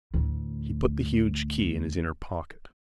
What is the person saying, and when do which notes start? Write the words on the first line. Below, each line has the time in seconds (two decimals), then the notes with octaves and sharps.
He put the huge key in his inner pocket.
0.14 D2 A2